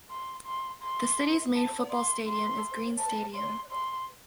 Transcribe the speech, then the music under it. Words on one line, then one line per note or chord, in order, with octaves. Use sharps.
The city's main football stadium is Green Stadium.
C6
C6
C6
A5
C6
C6
A5
C6
C6